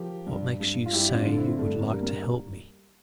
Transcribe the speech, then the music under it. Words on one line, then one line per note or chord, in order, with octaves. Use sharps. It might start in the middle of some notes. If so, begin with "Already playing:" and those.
What makes you say you would like to help me?
Already playing: F3 G4 A#4
G2
G2
F4
G2 E4 G4
D4 F4
D3
C4 E4
G2 A3
A#3
G3
A#3